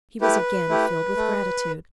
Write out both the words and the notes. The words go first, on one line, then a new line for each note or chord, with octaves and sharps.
He was again filled with gratitude.
A3 E4 G4 B4
A3 E4 G4
A3